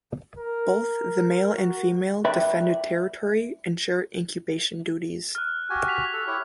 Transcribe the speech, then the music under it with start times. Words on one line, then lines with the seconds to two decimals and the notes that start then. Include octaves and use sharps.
Both the male and female defend a territory and share incubation duties.
0.39 A#4
1.57 F#4
2.25 B4 D5 E5 G5 B5
5.35 F6 F#6
5.70 F#4 G4 G#5
5.88 B6 F7
6.13 A4
6.27 E4 G4 C#5